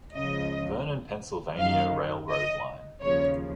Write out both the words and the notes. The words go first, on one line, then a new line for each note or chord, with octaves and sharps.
Vernon Pennsylvania Railroad line.
C#2 C#3 F3 D#5
F#2 D#3 F5
D#5
D#2 C#3 F3 C#5